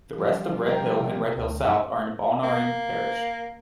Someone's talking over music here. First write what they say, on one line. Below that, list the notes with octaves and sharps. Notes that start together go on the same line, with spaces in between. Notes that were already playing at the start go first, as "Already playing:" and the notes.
The rest of Red Hill and Red hill South are in Balnarring parish.
F3 G3
A#4 G5
C3
D2
F#2 D#4 C#5 E5
A#3